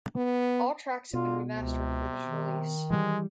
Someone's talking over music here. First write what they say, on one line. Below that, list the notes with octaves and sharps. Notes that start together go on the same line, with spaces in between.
All tracks have been remastered for this release.
B3
B2 D3 F4
C#2 C3
D#3
E3 G3 G#3